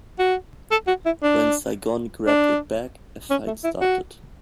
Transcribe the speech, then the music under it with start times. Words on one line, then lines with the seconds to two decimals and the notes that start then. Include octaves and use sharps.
When Saigon grabbed it back, a fight started.
0.19 F#4
0.71 A4
0.87 F#4
1.05 E4
1.23 D4
2.27 D4
3.30 C#4
3.47 A3
3.64 E4
3.81 F#4